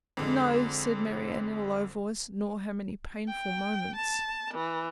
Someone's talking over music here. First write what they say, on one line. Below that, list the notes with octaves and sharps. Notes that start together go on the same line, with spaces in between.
"No," said Marianne, in a low voice, "nor how many painful moments."
F2 D3 G#3
G5
A5
E3